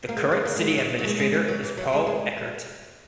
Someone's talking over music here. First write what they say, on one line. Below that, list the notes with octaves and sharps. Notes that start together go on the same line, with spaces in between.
The current city administrator is Paul Eckert.
A#3
G#3
G#3
A#3
G#3
F#3
G#3
F#3
G#3
G#3
G#3
F#3
E3
F#3
G#3
G#3